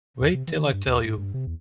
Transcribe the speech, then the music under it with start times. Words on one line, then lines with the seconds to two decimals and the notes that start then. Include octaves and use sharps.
Wait till I tell you.
0.21 E2
0.34 C3
0.47 E3
0.59 D#3
0.73 G2
0.87 D#2
1.04 G#2
1.18 G2
1.34 C3
1.47 E2